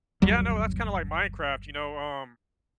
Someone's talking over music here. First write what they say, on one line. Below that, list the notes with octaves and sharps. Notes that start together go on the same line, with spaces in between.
Yeah, no, that's kinda like Minecraft, you know, um
G1 D#2 F#3 G3